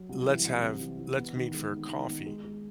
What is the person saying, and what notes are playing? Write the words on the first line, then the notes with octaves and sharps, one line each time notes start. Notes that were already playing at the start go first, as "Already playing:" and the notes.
"Let's have let's meet for a coffee."
Already playing: F#3
C2
E3
C2
C3
E3
E3
B3
D#3
G#3
D#3
D#3
B3
G#3
G#3